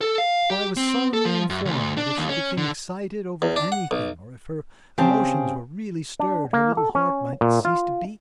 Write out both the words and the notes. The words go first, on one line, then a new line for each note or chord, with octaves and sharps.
For I was solemnly informed that if she became excited over anything or if her emotions were really stirred her little heart might cease to beat.
A4
F5
G4
C4
A4
F3
F#2
D2
D4
D#2
C#4
D3
E2
D4
F#5
B1
C#3 C4 G4 C5 A5
D4
A#3
A4
C#4
A#2
F4